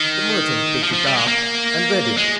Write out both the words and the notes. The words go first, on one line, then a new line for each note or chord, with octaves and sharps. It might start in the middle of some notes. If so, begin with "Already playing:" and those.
The merchant picked it up and read it.
Already playing: D#3
F3
F3
G3
G#3
A#3
G#3